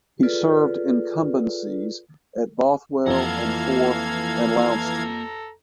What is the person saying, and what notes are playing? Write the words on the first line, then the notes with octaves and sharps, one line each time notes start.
He served incumbencies at Bothwell and Forth and Launceston.
F4 G#4 A4 B4 D5
F2 E3 A#3 A4 F5 F#5 A#5 G#6